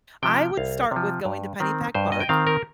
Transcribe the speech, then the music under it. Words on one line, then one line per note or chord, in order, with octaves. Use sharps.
I would start with going to Pennypack Park,
C3 F3 G5
C2 F5
C3 F3
G2
D#3 C4
G2 C5
D#5
G5
D#3 C4 F5
A#4